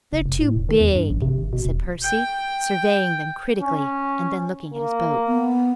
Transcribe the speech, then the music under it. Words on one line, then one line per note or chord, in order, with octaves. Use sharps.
"They're too big," said Percy, surveying them critically, and then looking at his boat.
F#1
F1
A2
E1
D#3
E2
G2
A1
C3
G#1
B2
E1
G5
C#4
A#3
B3